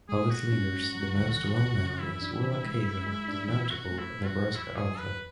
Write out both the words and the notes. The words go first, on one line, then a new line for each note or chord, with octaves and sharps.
Of its leaders the most well known is Willa Cather the notable Nebraska author.
G#3 G#4
G#2 F#4
C#4
G#2
F#3
D2
E3
D2
C#3
E3 E4
D4
E3
G#3
F#2
G#3
D4
E3
B2 F#4
A3
E4
B2
F#4
F#3
E2 E4
F#3 G#4
E2 B4